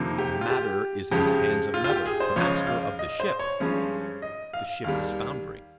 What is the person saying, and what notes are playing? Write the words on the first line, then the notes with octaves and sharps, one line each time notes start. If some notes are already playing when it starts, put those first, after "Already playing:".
The matter is in the hands of another--the Master of the ship. The ship is foundering.
Already playing: F2 C3 D#3 A#3
G4
F4
G4
F2 C#3 G#3 G4
F4
F4
G4
G#4
C5
C#2 C#3 F3 C#5
F5
D#5
C5
C#5
G2 F3 G#3 C#4
D#5
F5
D#2 D#3 G3 F5